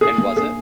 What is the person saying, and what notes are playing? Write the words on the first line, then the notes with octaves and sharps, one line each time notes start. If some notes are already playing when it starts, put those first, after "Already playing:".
and was it?
A#3 G#4
A#3
A#3 G#4